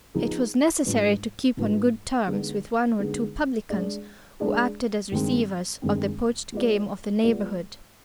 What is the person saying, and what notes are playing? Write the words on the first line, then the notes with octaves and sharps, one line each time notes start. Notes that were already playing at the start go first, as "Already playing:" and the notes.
It was necessary to keep on good terms with one or two publicans who acted as "receivers" of the poached game of the neighbourhood.
F3 B3 D#4 G#4
G#2 G3 D4 F4 B4
G#2 G3 D4 F4 B4
D3 G#3 B3 D#4 G#4
D3 G#3 B3 D#4 G#4
G#3 D4 G#4 D5
G#3 D4 G#4 D5
G2 D#3 G#3 C4
G2 D#3 G#3 C4
G#3 B3 F4 G#4 D5
G#3 B3 F4 G#4 D5